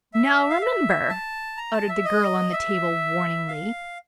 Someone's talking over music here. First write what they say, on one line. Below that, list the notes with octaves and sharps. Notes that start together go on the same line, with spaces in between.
"Now, remember!" uttered the girl on the table, warningly.
E5
F5
E5
A5
A#5
A5
E5
D#5
E5
F5